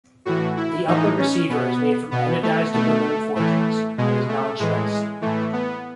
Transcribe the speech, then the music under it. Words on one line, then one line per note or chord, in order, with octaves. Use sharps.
The upper receiver is made from anodized aluminum forgings, and is non-stressed.
A2 E3 F#4
E4
A2 E3 D#4
C#4
B2 B3
B2 B3
A3
B2 A3
A2 E3 A3
B2 G#3
A3
A2 E3 G#3
A2 E3 A3
B3